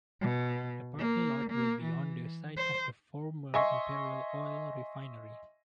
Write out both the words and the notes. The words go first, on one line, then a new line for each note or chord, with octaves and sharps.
The parking lot will be on the site of the former Imperial Oil Refinery.
B2
A#3
A#3
E3
C5
D#5 E5 G#5 C6 C#6